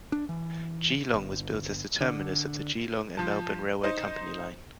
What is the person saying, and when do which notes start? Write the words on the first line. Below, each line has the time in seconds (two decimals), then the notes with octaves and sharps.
Geelong was built as the terminus of the Geelong and Melbourne Railway Company line.
0.12 D4
0.29 E3
1.14 G1
2.01 D3
3.17 F3 A5
3.83 D#4 C5 D#5